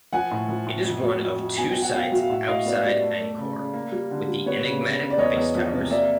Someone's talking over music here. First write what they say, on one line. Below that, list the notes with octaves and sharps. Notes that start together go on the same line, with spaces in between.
It is one of two sites outside Angkor with the enigmatic face-towers.
F3 F#5 G#5
A2
F3
A2
F2
F#3
F2
F2
B2 G#5
G5
F#3
F#5
B2 F5 G5
F#3 E5
F5
A2 E5 F#5
A2 D#5 F5
B3 D5 E5
G3 D5
A3
A3
C#3
C#3
A#3
G3
D3
G3
B3 C#5
C#3
C#3
C#3
D5
E2 C#5 D#5
E2
F3
C3
A#3 D5 E5